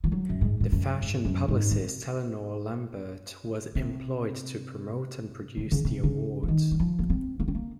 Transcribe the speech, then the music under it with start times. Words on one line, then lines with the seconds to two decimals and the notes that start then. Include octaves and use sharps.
The fashion publicist Eleanor Lambert was employed to promote and produce the awards.
0.04 F3
0.12 F#3
0.29 F#2
0.41 G#2
0.60 G#2
0.72 F#2
1.02 G#2
1.25 F#2
1.48 G#2
1.71 C3
3.75 C3
5.57 C3
5.72 C#3
5.85 C3
6.03 C#3
6.43 F3
6.48 D#3
6.71 F#3
6.80 F3
6.99 A#3
7.10 C4
7.40 A#3
7.48 C4
7.55 A#3